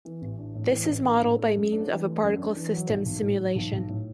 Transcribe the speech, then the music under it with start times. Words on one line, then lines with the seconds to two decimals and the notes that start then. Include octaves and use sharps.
This is modelled by means of a particle system simulation.
0.05 E3
0.22 A1
0.38 D4
0.55 A2
0.72 E3
0.88 A1
1.05 D4
1.22 A2
1.38 A3
1.56 F#2
1.72 D4
1.89 E3
2.06 A3
2.22 F#2
2.39 D4
2.55 E3
2.72 F#3
2.89 B1
3.06 B1
3.22 A2
3.39 F#3
3.56 B1
3.72 B1
3.89 A2